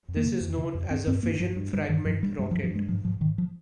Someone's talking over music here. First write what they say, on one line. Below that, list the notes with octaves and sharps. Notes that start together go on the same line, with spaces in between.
This is known as a fission-fragment rocket.
F2
A#3
C#3
F2
C#3
F2
G2 C4
G2 C4
G2 A#3
G2 F3
G2
G2 G3
G2 D#3
G2 F3
G2 G3
G2 G3
F3
G2
F3
G2 G#3
G#2 F3
G#2 F3
G#2 D#3
F3